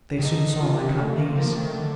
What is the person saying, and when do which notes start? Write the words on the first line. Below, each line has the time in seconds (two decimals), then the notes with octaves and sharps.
They soon saw my cut knees.
0.18 D#3
0.23 D3 D#4
0.60 D#3 F4
0.79 G4
0.99 A3
1.17 A#3
1.29 C4
1.35 F3 A#3
1.46 A#3
1.54 D#3 A3
1.74 D3